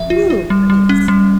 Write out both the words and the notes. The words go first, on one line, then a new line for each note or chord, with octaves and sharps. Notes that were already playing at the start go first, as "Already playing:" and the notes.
Ooh, nice.
Already playing: F3 E5
F4
F4
G3
G3
C#4
G3